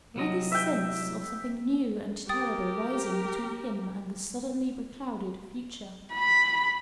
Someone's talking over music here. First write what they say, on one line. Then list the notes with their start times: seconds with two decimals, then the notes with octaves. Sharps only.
Why this sense of something new and terrible rising between him and the suddenly beclouded future?
0.16 C2 F#3 D#5
0.52 E5 G5
2.29 G4 A#4 G5 D#6 A6
6.13 B5